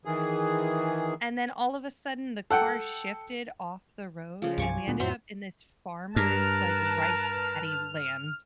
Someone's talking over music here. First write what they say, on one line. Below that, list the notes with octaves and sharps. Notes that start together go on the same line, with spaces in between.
and then, all of a sudden, the car shifted off the road, and we ended up in this farmer's, like, rice paddy land.
D#3 E3 G#4
A4 F#5 G5
C#3 F3
C2 G2 G#5 C#6 D6
D2 A#2 B3
F2 A2 F#3 C5 E5
G2 A#4 B4 A5 F6